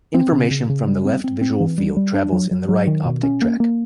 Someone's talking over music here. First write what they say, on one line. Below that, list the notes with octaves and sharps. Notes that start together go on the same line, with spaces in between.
Information from the left "visual field" travels in the right optic tract.
C4
C#3
C#3
C#3
G3
C4
C4
C4
E3
G3
G3
D4
F#3
F#3
F#3
D#3
B2
C#4
A#3
A#3